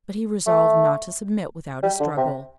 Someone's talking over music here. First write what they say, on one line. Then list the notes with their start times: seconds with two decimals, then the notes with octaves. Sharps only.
But he resolved not to submit without a struggle.
0.47 A3
1.83 G3
2.00 D3
2.17 C3